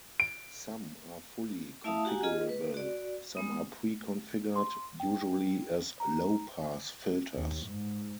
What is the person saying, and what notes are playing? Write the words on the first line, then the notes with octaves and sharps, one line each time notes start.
Some are fully configurable; some are pre-configured, usually as low-pass filters.
D7
A3 E4 E5 F5 A5 D#6
F#4 G4 F#5 G#5 A#5
F4 G#4 D#5
B4
F#4 D5
G#3 B3 D#6
C6
G5
A#5
D#2
G#2